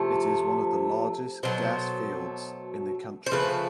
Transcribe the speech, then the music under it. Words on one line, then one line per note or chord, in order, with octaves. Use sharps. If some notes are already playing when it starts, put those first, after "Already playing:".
It is one of the largest gas fields in the country.
Already playing: C3 F3 A3
B2 F#3 A3 C5
C5
C#3 F3 A3 B4